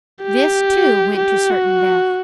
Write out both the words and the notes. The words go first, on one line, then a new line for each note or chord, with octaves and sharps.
This, too, went to certain death.
G4
G4
F#4